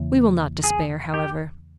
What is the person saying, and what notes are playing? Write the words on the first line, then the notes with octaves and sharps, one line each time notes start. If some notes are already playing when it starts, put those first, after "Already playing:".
We will not despair, however.
Already playing: E2 C#3 E3 A#3
G#4
G4